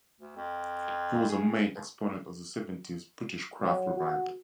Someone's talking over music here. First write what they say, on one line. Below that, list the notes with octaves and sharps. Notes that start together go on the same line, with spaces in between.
He was a main exponent of the seventies British Craft Revival.
D2
F2
G#4
F#3
F#4